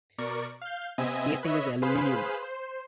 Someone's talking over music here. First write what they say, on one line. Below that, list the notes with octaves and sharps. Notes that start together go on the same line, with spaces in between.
Its casing is aluminium.
B2 A#4 D5 C#6
F5 G6
C3 B3 C4 D#5 E5 G#5
B4 C#5 D#5 E5
G#4 B4 C5 F5 B5
C5